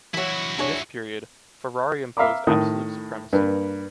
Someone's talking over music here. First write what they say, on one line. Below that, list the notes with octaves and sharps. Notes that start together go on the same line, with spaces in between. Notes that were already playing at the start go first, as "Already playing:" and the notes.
In this period, Ferrari imposed absolute supremacy.
E3 F#3 E4 F#4
D4 G#4 C#5
E5 F5 A#5 B5 D6
A2 D#3 D#6
G2 A#3 B4